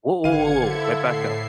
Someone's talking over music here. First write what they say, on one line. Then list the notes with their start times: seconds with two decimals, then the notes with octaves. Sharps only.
Whoa, whoa, whoa, whoa, wait, back up.
0.24 G#1 D3 B4 F5 G#6 C#7 D#7
0.61 D3 E4 A4 C5 E5
0.96 A2 C7